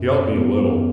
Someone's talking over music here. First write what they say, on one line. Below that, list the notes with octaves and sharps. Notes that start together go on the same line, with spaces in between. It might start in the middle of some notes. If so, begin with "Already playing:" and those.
He helped me a little.
Already playing: F#2
B3